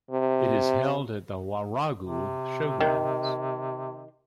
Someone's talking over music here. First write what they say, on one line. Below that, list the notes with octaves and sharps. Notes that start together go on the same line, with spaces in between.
It is held at the Warragul showgrounds.
C3
C3
D#3